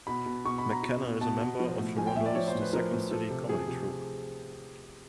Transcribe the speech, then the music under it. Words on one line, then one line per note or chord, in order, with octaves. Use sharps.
McKenna is a member of Toronto's "The Second City" comedy troupe.
B2 B5
B2
B2 C#6
B5
B2
A#5
B2
B2
B2 A5
B2
F3
A2
F3 G#5
G5
A2 E5
D5
F3 C#5
C5
A2
B4
F3 A#4
A2
F3 A4
C3
F3 G#4
C3